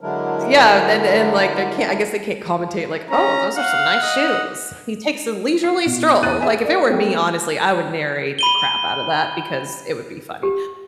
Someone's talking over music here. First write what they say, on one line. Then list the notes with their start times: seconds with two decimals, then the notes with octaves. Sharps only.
Yeah, then the and, like they can't I guess they can't commentate like, "Oh, those are some nice shoes. He takes a leisurely stroll," like if it were me, honestly, I would narrate the crap out of that because it would be funny,
0.01 D3 F#3 G#3 D4 E4 A#4
3.10 C#4 A#5
3.56 F5 F#5
4.02 D#5
5.64 C7
5.86 B2
6.23 E2 E3 F#6 A6 D#7
6.40 G#4 E5 G#5
6.63 A#4 D5
6.90 G3 A3 A#3 C4 A4
8.39 B5 D#7 G7
10.43 G4